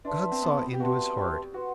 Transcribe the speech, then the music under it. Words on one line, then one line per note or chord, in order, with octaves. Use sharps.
God saw into his heart.
D4 B4 E5 A5 C6
C4
B3
G4
F#4 B4 E5 A5 C6
G4
F#4 B4 F#5 C6